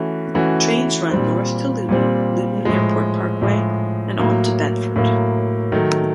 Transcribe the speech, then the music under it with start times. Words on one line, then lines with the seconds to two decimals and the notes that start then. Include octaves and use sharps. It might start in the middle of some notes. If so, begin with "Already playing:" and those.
Trains run north to Luton, Luton Airport Parkway and on to Bedford.
Already playing: E3 A3 C#4 F#4
0.34 E3 A3 C#4 F#4
1.11 A#2 G3 C4
1.89 A#2 G3 C4
2.65 A2 F3 G#3
3.42 A2 F3 G#3
4.19 A2 F#3 A#3
4.96 A2 F#3 A#3
5.72 D#3 F#3 A3